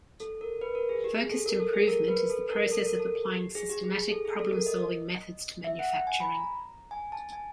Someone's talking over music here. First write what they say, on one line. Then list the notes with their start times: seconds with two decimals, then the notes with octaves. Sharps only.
Focused Improvement is the process of applying systematic problem solving methods to manufacturing.
0.20 A4
0.41 A#4
0.61 B4
0.75 A#4
0.89 G#4
1.04 G4
1.18 G#4
1.31 A4
1.46 A#4
1.60 A4
1.73 G#4
1.87 A#4
2.08 B4
2.30 A4
2.50 A#4
2.72 A4
2.86 A#4
2.99 A4
3.34 G4
3.55 G#4
3.69 G4
3.84 G#4
3.97 G#4
4.12 A4
4.25 G#4
4.39 A4
4.53 A#4
4.66 D#5
5.64 E5
5.79 F#5
5.93 G5
6.07 G#5
6.20 B5
6.35 A#5
6.91 G#5
7.12 A5
7.32 G#5